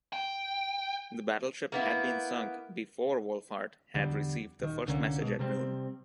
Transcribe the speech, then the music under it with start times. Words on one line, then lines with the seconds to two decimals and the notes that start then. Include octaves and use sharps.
The battleship had been sunk before Wohlfahrt had received the first message at noon.
0.13 G5
1.72 A#3 B3 E4
3.95 E2 D3 G3
4.60 D#1 D#3
4.87 C2 D3 A#3 C#4
5.21 B2 G#3
5.39 C3 G3 A#3 C4